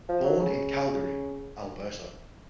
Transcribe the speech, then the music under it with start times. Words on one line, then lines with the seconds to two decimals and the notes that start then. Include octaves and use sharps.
Born in Calgary, Alberta.
0.09 F3
0.25 F#3
0.41 C#3